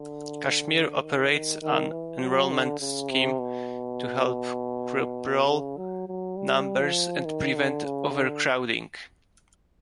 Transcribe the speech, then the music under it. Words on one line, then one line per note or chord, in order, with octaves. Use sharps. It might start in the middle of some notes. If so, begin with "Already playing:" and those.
Cashmere operates an enrolment scheme to help curb roll numbers and prevent overcrowding.
Already playing: D3
D#3
D#3
D#3
E3
F#3
D3
C#3
C3
B2
C#3
F#3
F#3
G3
F3
D#3
D3
C#3
D3